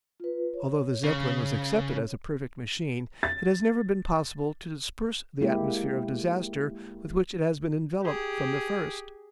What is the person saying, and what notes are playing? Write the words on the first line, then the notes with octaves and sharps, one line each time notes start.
Although the Zeppelin was accepted as a perfect machine it has never been possible to disperse the atmosphere of disaster with which it has been enveloped from the first.
F4 B4
C#5
C#3
A6
G#3 A#3 E4 G4
G4 G#4